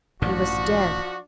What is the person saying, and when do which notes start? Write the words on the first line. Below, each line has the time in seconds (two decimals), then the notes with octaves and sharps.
He was dead.
0.22 A1 G2 A#2 F3 D4 F#4